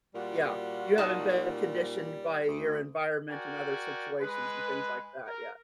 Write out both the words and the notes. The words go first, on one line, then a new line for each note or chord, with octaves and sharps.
Yeah, you haven't been conditioned by your environment and other situations and things like that, yeah.
A#2 G3 F4 F#4
A#2 D#4 A5
D2
F#4 A#4 D5 G5 G#5
G#3 B4
A#4